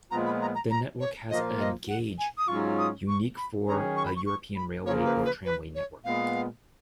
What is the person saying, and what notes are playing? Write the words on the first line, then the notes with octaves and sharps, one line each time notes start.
The network has an gauge, unique for a European railway or tramway network.
A#2 F3 G#3 B3 F4 A#5
B5
A#5
A#5
A#5
C#5
A#2 F3 A#3 F4 D#5
D#5
F#5
G#5
D#6
G#2 F#3 C#4 F4 C#6
D#6
C#6
B5
D#3 F#3 C#4 G#4 A#5
C#6
B5
C#6
C#6
B5
C#3 F3 A#3 C#5
B4
B4
B4
C#5
A#2 G#3 B3 F5